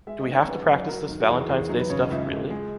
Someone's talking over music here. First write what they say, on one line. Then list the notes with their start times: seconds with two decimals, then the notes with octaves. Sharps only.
Do we have to practice this Valentines Day stuff really?
0.07 G#3 E5
0.20 D#5
0.28 D#3
0.34 C#5
0.47 F#2 B4
0.68 F#2
0.88 F#3 A#4
1.09 D#3
1.20 F#4
1.28 E2 G#4
1.49 E2 G#4
1.69 F#3 D#4
1.79 B4
1.90 C#3 C#5
2.00 D#5
2.10 C#2 E5
2.30 C#2
2.50 G#3